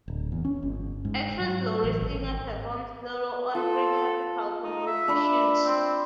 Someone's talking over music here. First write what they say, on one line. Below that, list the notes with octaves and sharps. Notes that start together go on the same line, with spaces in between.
Actress Lori Singer performs cello on three classical compositions.
D1
E2
C#4
G1
G#2
F#3
A1
G#1
F4 A4
D#4
E5
D4 B5
C4